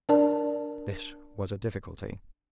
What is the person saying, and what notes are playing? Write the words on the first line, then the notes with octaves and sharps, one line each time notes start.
This was a difficulty.
D4 A#4 D5 A5